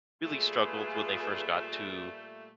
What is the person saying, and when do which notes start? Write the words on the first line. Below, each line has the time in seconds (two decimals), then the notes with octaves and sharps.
really struggled when they first got to
0.24 A#2 G3 A3 F4 G#4 B4